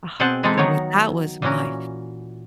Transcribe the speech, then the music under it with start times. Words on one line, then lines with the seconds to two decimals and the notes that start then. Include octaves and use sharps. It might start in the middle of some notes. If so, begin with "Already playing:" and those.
Ah, dude that was my
0.20 B2 C4 G#4 F#5 G5 A5
0.43 E3 G#3 C4 D#4 E4 A4
0.57 D#3 F#3 B3 D#4 A#4 C#5
1.42 A#2 E3 C#4 F#4 A#4